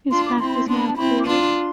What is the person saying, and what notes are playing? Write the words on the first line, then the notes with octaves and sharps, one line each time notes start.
His path is now clearer.
D4 F4 C6
D6
C4 E4 C6
B5
C6
B3 D4 C6
B5
A5
C4 E4 B5
D6
D4 F4 C6